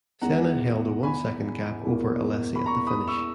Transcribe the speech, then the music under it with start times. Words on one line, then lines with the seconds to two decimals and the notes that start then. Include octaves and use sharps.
Senna held a one-second gap over Alesi at the finish.
0.21 E2 D#3 G#3 B3 F#5 A#5
1.03 G#5 B5
1.84 E2 B2 A#3
2.56 B5
2.66 A#5 C#6
2.87 B5 D#6
3.07 C#6 E6